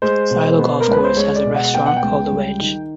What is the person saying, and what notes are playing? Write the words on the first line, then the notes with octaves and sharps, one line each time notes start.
Silo Golf Course has a restaurant call the Wedge.
G#3 C5
B2
B3
A#4
C#2 B4
C5
G#3 C#5
D5
B2
F#5
B3 G5
F#5
G5
C#2
G3
D#3